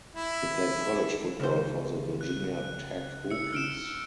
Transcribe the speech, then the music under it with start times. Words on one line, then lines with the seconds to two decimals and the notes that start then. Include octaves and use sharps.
He played college football for the Virginia Tech Hokies.
0.15 E4
1.40 C#2 C5
2.21 F#6
3.31 E6 C#7
3.53 F6 D7 E7